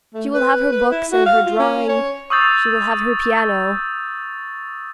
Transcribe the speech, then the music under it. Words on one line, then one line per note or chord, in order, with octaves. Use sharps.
She will have her books and her drawing, she will have her piano.
A3
B4
B4
E4
F#4
F5
F4
C#4
C#5
C#6 D#6 E6 G6 A6